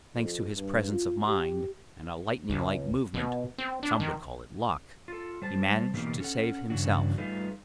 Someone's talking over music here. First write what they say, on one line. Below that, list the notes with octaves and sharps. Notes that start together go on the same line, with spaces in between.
Thanks to his presence of mind and a lightning-like movement -- some would call it luck -- he managed to save himself.
F2
G2
F4
G4
C#2
B2
C4
D4
D#3
F4 A4
G3 C5 A5
B2 E3 A3 A#3 D#4 G4
C#4 A4 F#5
G2 C#3 E3 D4 F#4
G3 A3 D#4 F4 G#4 B4